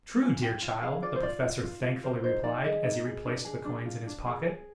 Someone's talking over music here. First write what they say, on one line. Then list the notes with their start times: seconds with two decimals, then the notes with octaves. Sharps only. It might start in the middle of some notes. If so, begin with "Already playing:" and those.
"True, dear child!" the Professor thankfully replied, as he replaced the coins in his pocket.
0.22 F4 G#5
0.42 F4 G5
0.62 F4
0.82 G#4 F5
1.02 F4 D5
1.16 C5
1.22 F4 D5
1.43 F4
1.63 F4
1.83 F4
2.03 A#4 C5
2.24 D#4 C5
2.44 D#4 D5
2.64 G#4 D#5
2.84 D#4
3.05 G#4
3.25 D4
3.45 G#4
3.65 D4
3.85 F4
4.06 D4
4.26 G#4
4.46 G#4